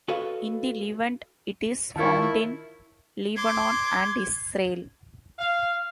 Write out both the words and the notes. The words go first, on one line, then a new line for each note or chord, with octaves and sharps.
In the Levant it is found in Lebanon and Israel.
F#4 A4 B4 C#5 D#5 F5
D#3 E4 F4 A#4 C#5 A5
C6 D6 G#6
F5